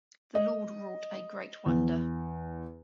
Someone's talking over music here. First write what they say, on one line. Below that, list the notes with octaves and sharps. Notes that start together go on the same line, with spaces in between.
The Lord wrought a great wonder.
D#5
E2